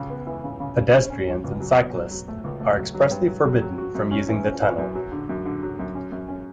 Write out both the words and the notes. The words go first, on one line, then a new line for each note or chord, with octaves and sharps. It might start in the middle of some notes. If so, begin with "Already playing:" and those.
Pedestrians and cyclists are expressly forbidden from using the tunnel.
Already playing: C#2 C#3
B3
E3
C#3
C#3
C#3
C#4
C#4
C#4
C#2
F#3
B2
F#3
F#3
A3
C#2
A3
F#3
F#3
G2
F#3
F#3
F#3
F#4
F#2
C#4
E3
C#4
E3
F#2
F#3
D3
F#2
D3
F#3
F#2
C#4
F#2
C#4